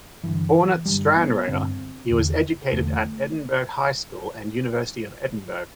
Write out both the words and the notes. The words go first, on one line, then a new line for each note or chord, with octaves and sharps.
Born at Stranraer, he was educated at Edinburgh High School and University of Edinburgh.
G2 D3 E3
G2 D3 G3
B3
G2 D3 C4
E2 D3
E2 D3 A3